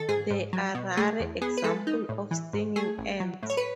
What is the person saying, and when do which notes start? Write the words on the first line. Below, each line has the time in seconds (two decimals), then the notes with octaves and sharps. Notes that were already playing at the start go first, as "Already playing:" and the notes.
They are rare examples of stinging ants.
Already playing: D#3 A4
0.09 G#2 G#4
0.31 G#2
0.53 F#3
0.75 B2
0.97 A3 G#4
1.20 E2
1.42 B3 G#4
1.57 B4
1.64 G#3 A4
1.87 D#4
2.09 A2
2.31 E3
2.53 G#2
2.76 A3 G#4
2.98 A1
3.20 F#3
3.43 A2
3.50 C#5
3.57 B4